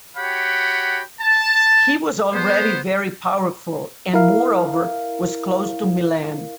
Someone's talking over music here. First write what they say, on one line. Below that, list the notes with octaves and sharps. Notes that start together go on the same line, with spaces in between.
He was already very powerful, and moreover was close to Milan.
F#4 G4 C#5 F#5 G5 B5
A5
B3 C5
E4 A#4 F5